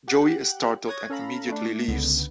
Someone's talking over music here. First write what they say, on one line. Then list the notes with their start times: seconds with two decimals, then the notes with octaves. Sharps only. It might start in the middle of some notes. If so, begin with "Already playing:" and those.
Joey is startled and immediately leaves.
0.08 G4 F#5 G5 F#6
0.87 C#5 D#6 F#6 G#6 A#6
1.10 C#4 A4 F5 A#5 B5
1.49 A3 D4
1.88 C#2 D3 B3